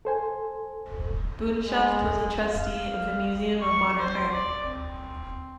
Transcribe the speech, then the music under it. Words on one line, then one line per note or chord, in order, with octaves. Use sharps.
Bunshaft was a trustee of the Museum of Modern Art.
A4 C5 G#5
G#3
F5
C#6
C5
D5
C4